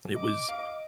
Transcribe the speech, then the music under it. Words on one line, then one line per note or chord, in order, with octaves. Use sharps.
it was
D#5 D6
F5
D#5